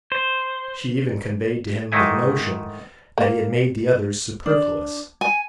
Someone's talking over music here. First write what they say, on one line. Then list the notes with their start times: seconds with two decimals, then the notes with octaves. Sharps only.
She even conveyed to him the notion that he had made the others superfluous.
0.12 C5
1.92 G#2 D#3 A3 D#4 E4 G#5
3.18 A#3
4.46 D4
5.21 G#5